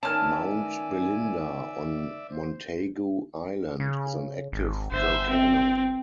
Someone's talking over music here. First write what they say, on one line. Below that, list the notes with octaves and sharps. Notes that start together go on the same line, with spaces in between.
Mount Belinda on Montagu Island is an active volcano.
D#3 B3 C#4 D5 E5 G#5 A5 F6
C5
C#3
G#1
G1 C5 E5
C4